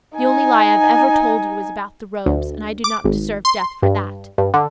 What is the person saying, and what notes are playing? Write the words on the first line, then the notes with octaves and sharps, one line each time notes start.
The only lie I have ever told you was about the robes, and I do not deserve death for that.'
D#4 G#5
D2
D6
G#1
C6
G2
G2
D3